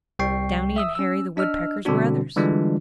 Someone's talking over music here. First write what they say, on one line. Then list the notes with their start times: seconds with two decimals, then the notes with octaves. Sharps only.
Downy and Hairy the Woodpeckers were others.
0.19 C2 G3 G5 C#6 C7
0.76 E5 D#6 E6
0.95 C#4 E6
1.37 D4 D#5 E6 F6
1.85 B2 D3 G3 C4 D4 F#4
2.36 D3 E3 G3 G#3 D4 F4